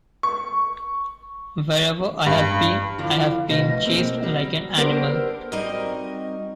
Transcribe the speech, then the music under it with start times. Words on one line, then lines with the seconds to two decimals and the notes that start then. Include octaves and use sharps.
Wherever I have been, I have been chased like an animal.
0.23 C#6
2.26 G2
2.98 F2 D3 E4 F4 F5
3.48 F2 B2 A3 D#5
3.86 G#3 A#3 C4
4.23 F#3 G3
4.77 B3 D4 G4 A4 A#4 C5
5.52 G3 C4 D#4 F#4 A#4 D#5